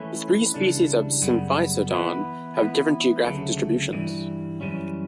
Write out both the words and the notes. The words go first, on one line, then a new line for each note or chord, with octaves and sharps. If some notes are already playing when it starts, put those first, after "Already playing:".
The three species of "Symphysodon" have different geographic distributions.
Already playing: E3 A3 C#4 E4 B4
C#2 C#3 E3 G3 D4
F#2 C#3 G3 B3
E3 B3 E4 B4
E3 B3 E4 B4
D2 C#3 F#3 A3
G2 E3 G3
F#2 E3 G3 C#4